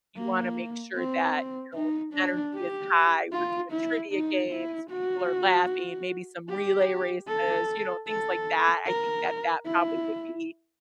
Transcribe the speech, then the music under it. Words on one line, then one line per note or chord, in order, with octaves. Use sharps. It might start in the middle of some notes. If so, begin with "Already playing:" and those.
you wanna make sure that, you know, the energy is high, we're doing trivia games, people are laughing, maybe some relay races, you know, things like that. I think that that probably would be
A#3
C4
D#4
D4
G4
F4
E4
D#4
E4
F#4
G4
A4
A4
A#4
E4